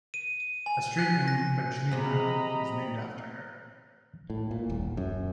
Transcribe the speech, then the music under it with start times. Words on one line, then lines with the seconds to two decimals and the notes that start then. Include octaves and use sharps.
A street in Bijeljina is named after her.
0.14 D#7
0.66 G#5
0.99 F#6
1.28 A#6
1.91 C3 F3 C4 G#4 D#5 A#5 B5
4.30 A2
4.51 A#2
4.70 D#1
4.97 F#2